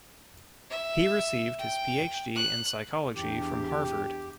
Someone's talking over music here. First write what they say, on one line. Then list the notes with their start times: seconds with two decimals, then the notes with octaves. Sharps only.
He received his Ph.D in Psychology from Harvard.
0.70 E5
1.58 G5
2.36 F#6
3.15 E2 D4 G4